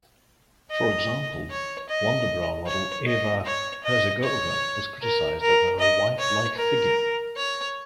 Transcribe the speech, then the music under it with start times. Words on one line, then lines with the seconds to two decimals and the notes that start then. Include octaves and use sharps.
For example, Wonderbra model Eva Herzigova was criticized over her waif-like figure.
0.71 D#5
1.50 C#5
1.89 D#5
2.66 C#5
3.07 D#5
3.46 C#5
3.84 D#5
4.23 C#5
5.01 A#4
5.40 A#4
5.80 D#5
6.19 C#5
6.58 A#4
7.37 C#5